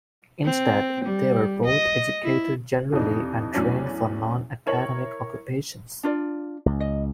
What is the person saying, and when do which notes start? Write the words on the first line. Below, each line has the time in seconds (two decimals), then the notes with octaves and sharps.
Instead, they were both educated generally and trained for non-academic occupations.
0.44 C4
1.05 G3
1.65 D#5
2.23 E4
2.92 F2 C3 E3 D4 D#4
3.53 E2 A2 F#3 C#4 D4
4.66 E4 A#4 C#5 F#7
6.03 D4 F4 D5
6.66 C#2
6.80 D#5